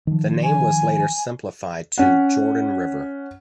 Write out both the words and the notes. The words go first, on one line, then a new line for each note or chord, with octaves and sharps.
The name was later simplified to "Jordan River".
D#3 F3
G#5
C#4 F#5